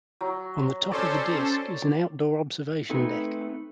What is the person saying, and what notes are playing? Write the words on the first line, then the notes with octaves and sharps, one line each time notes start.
On the top of the disk is an outdoor observation deck.
F#3
C#4 A4 C5 D5
A3 C4 D#4 G#4 A4 B4